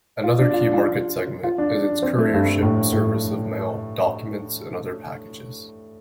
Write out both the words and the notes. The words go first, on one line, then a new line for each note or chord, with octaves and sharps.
Another key market segment is its couriership service of mail, documents and other packages.
F4
D4
F4
F4
F4
D4
C4
A3
G2
A2
A2